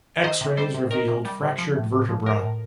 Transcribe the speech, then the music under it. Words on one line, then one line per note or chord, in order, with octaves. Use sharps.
X-rays revealed fractured vertebra.
D#3 C5 D#5
C3
G3 A4 C5
C3
D#3 A#4
C3
G3
C3
F3
A2
A2
F3
F3 A#4
A2